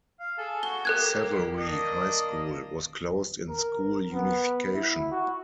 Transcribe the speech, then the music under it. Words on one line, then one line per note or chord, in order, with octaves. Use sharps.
Severy High School was closed in school unification.
F5
G#4 A4
F#4 G7
A#3 G4 A4 F#6 G#6
A#3 D4 D#5
A#4
B3
E4
F#4